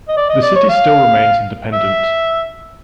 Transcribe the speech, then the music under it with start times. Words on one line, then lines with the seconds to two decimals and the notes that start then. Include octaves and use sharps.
The city still remains independent.
0.09 D#5
0.17 D5
0.30 D#5
0.43 D5
0.55 C#5
0.69 F5
1.73 E5